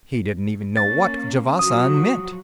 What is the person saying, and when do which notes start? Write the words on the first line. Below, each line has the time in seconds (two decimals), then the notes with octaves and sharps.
He didn't even know what Javasan meant.
0.77 A#3 C#4 A6
1.59 F3 F#3 F#4 D#6